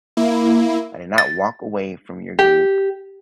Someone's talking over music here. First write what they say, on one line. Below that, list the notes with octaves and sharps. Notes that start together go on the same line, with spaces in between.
I did not walk away from your group.
A#3 E4
A6
G4